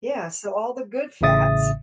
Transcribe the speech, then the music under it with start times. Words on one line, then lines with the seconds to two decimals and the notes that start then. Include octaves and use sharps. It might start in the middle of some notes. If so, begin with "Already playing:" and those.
Yeah. So, all the good fats
1.21 A1 A2 C#3 E5 D#6 A6